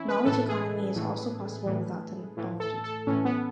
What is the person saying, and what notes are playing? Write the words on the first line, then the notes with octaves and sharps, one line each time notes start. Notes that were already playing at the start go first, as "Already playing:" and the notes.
Knowledge economy is also possible without technology.
Already playing: E3 C#4 E4
B4
A2 E3 A4
G#4
A2 E3
A2 E3
A2 E3
A4
A4
A2 E3 C#4
B3